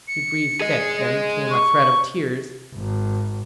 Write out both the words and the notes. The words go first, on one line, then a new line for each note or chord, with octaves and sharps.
He breathed thick; then came a threat of tears.
C#7
G#4 D#5
C#6
G#1